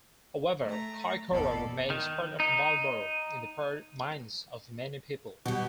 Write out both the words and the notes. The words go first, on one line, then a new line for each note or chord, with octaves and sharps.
However Kaikoura remains part of Marlborough in the minds of many people.
A3 A#5
G1 E2 B2 A4 D5
D#3
D#4
B2 G3 G4